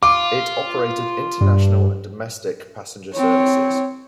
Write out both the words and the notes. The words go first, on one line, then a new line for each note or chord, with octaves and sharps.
It operated international and domestic passenger services.
F4 D6
G2
C4 C#5